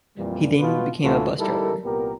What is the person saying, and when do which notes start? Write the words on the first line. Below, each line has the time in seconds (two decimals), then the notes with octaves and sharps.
He then became a bus driver.
0.17 F2 A#2 E3 G3
0.59 B2 B3 F4 B4
1.02 D2 A2 E3 F4 F#4 A4
1.38 G3 D#4 E4 A4 A#4
1.84 C2 A#2 B3 G4 A#4